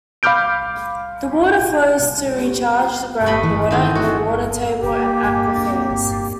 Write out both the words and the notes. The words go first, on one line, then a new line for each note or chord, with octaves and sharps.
The water flows to recharge the groundwater in the water table and aquifers.
F5 B5 D6 F6 G6 D7
A3 D#5 B5
E3
D#3 C4 G#4
F#4
A#3 G4